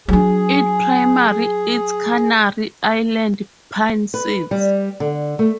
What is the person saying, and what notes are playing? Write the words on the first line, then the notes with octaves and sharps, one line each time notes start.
It primarily eats Canary Island pine seeds.
F#3 D4 G#4
B4
G3
D3
A3